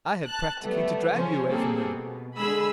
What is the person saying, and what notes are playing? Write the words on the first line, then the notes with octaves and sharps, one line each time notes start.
I had practically to drag you away from him.
A5 F#6
F#3 G3 A3 B3
C#3 F3 C#4 C5
D#3 G3 A#3 C4 G#4 A4
B2
D3 G#3 G#4 B5 E6